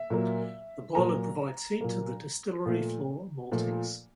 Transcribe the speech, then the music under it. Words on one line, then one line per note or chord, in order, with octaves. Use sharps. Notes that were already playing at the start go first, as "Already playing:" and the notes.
The boiler provides heat to the distillery floor maltings.
Already playing: E5
A#2 F#3 A#3
A#2 F#3 A#3 A#5
A#2 F#3 A#3
A#2 F3 A3
A#2 F3 A3